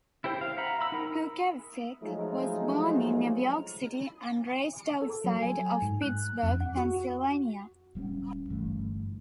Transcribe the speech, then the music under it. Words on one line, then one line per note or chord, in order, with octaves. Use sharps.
Klucevsek was born in New York City, and raised outside of Pittsburgh, Pennsylvania.
E4 G4 C5 G5
F5
E5 F#5 A#5 B5
B5 E6
D#4 A#4 B5
F3 F#3 G#3 A3 D#4 F4
A4
F#3
G#5
G#2
F#6
F2
F#5
F#4
D1 G3 A#3 C#4
G1 G2 E3 A3